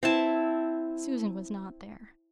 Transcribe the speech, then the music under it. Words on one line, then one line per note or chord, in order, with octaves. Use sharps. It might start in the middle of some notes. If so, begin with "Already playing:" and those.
Susan was not there.
C4 E4 A5